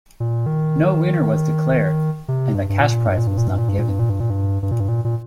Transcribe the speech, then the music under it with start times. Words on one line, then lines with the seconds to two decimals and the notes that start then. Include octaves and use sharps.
No winner was declared, and the cash prize was not given.
0.20 A#2
0.46 D#3
2.28 C3
2.54 G2
2.69 G2
2.81 A#2
3.06 G2
3.17 A#2
3.27 G2
3.38 A#2
3.48 G2
3.58 A#2
3.69 G2
3.79 A#2
3.89 G2
3.99 A#2
4.10 G2
4.20 A#2
4.30 G2
4.63 G2
4.71 A#2
4.80 G2
4.89 A#2
5.05 A#2